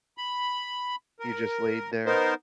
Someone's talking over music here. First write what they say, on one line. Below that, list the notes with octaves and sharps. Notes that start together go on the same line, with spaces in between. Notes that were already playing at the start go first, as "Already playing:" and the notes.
You just laid there?
B5
A#4
B3 D#4 A#4 C5